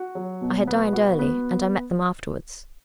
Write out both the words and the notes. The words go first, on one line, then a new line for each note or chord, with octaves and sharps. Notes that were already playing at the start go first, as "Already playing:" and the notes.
I had dined early; and I met them afterwards.
Already playing: F#4
F#3
B2
B3
F#4
B3